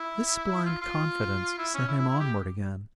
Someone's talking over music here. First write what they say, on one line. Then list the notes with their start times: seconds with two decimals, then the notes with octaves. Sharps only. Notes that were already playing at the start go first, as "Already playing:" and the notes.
This blind confidence set him onwards again.
Already playing: E4
0.66 F4
0.81 F4
1.58 E4
1.74 C#4
1.88 E4
1.99 E4
2.09 E4
2.20 G4